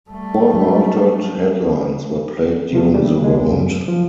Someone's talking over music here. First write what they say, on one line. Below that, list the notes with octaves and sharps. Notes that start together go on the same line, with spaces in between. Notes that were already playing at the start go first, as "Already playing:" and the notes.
Four altered headlines were played during the round.
G3 A3
F#3 G#3 D4
C3 F3 A3
G3 A3 D4
C#2 G#3
F#2
F3